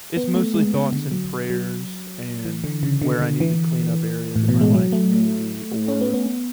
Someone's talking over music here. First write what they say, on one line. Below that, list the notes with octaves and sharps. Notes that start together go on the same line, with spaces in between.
It's mostly thoughts and prayers and where I need to clean up areas in my life maybe or,
B3
A3
G#3
C#3
D3
F#3
F#3
E3
D3
C#3
D3
D3
E3
A2
B2
G#3
F#3
A3
C#4
B3
B3
B3